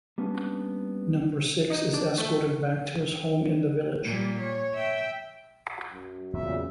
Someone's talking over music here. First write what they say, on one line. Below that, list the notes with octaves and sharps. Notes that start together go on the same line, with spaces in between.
Number Six is escorted back to his home in the Village.
G3 A#3 B3 C#4 D4
D#4
D4
A3
A#2 G3
C#5
E5 G5
F#2
E2 A#2 C#3 A3 B3 E5